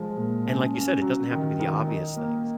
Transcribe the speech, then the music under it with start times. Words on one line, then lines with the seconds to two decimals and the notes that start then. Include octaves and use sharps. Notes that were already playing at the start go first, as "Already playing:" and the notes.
and like you said, it doesn't have to be the obvious things,
Already playing: F3 G#3
0.16 A#2
0.45 C#4
0.74 C#4
1.02 F#3
1.31 D#3
1.60 D#3
1.88 D#4
2.16 A#3